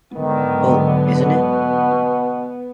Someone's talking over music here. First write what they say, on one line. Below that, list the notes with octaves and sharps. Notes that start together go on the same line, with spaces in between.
Oh, isn't it!
G#2 D3 D#3 F#3 B3
B2